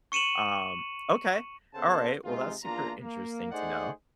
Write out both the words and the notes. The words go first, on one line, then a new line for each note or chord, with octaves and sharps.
Um, okay, alright. Well, that's super interesting to know.
C#6 C#7 D#7 E7 F#7
C#3 B3 A4 C5 F#5 A5
C3 G#3 D#4 F4
E2 A#3 D4 F4 A#5
A#3
A3 D#4 G#4 C5 D5 F#5